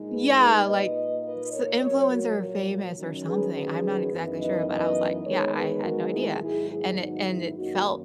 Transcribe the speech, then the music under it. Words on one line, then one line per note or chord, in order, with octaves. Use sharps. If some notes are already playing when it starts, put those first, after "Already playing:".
Yeah, like, s influencer famous or something, I'm not exactly sure, but I was like, "yeah, I had no idea," and it and it felt
Already playing: A#2 G#3 D#4
G#4 B4
G#4 B4
A#2 A#3 D#4 B4 D#5
B4 D#5
A#4 C#5
A#2 F#3 A#3 A#4 C#5
F#4 A#4
A#4 C#5
D#3 F#3 C#4
G#4 B4
G#4 B4
F#2 E3 B3 D#4
B4 D#5
B4 D#5
D#3 G#3 B3 D#4 A#4 C#5
G#4 B4
F#4 A#4
E4 G#4
G#2 D#3 F#3 B3 D#4 E4 G#4
E4 G#4
D#4 F#4
E4
F#2 D#3 A#3 C#4 D#4 F#4